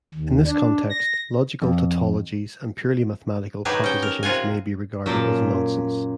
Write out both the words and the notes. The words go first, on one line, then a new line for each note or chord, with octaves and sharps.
In this context, logical tautologies, and purely mathematical propositions may be regarded as "nonsense".
D#2
D4
A#6
F2
F#3 D#4 G4 G#4 B4
C#4 G5
A#4
C3 F4 F#5 G#5
F#2 A#2 A5